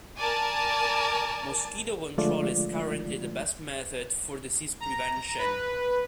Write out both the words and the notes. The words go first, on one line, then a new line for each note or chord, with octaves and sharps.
Mosquito control is currently the best method for disease prevention.
A#4 D5 G#5 A5
D3 F3 G#3 A3 F4 D5
A#5
B4